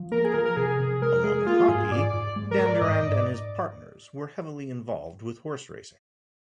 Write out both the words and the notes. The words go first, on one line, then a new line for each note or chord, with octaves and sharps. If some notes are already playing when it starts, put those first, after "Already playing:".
Along with hockey, Dandurand and his partners were heavily involved with horse racing.
Already playing: F3
A#3 A#4
G#4
F3 A#4
A#4
C3 G#4
C3
G#3 A#4
G#3 G#4
A#3 F4
G#2 G#4
G#2 D5
G#2
G#3
A#4
G#3
D5
G#2 D#5
G#2 D5